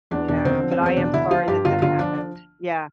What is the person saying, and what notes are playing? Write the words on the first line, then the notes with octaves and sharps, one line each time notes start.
Yeah, but I am sorry that that happened. Yeah.
E2 D4
E1 D4
D3 C4
F3
C4
E2
C4
E1 D4
D3 E4
F3 F4
G2 G4
G1 F4
D3 F4
F3 D4